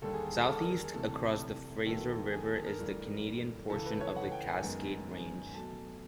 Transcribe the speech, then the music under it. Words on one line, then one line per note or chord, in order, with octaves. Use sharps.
Southeast across the Fraser River is the Canadian portion of the Cascade Range.
D#2 D3 G3 A4
G#4
A4
A4
A4
A#4
A4
G#4
C2 C3 E3 A3 A4
D#2 D#3 F#3 B3 A4
G#4
A4
A#4
G2 E3 A3
C#2 C#3 E3 A4
B4
C#5
F#5
G5
G#5
F#2 D#3 G#3 B3
B2 F#3 A3 A5